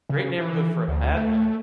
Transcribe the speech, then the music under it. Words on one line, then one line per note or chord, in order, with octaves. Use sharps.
Great neighborhood for a madman!
C#3
E3
D2
A3